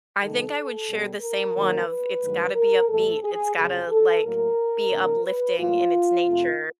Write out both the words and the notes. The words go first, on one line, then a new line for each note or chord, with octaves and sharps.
I think I would share the same one of, it's gotta be upbeat. It's gotta, like, be uplifting in its nature.
C3 D#3 G3 A4
B2 G3 B3
A#4
F#2 D#3 F#3 A#3 D#4
B4
G2 D#3 F#3 A3
A#4
A2 E3 A3 A4
G#4
F2 C#3 F#3 G#4
A4
A2 F#3 A#3 A#4
C3 E3 A3 D4
B4
A2 F#3 A#3 F4
F2 C3 F3 A3